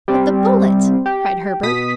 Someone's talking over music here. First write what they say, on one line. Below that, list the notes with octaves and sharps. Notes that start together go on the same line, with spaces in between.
"But the bullet," cried Herbert.
G3 C4
G4
B2 D#6 B6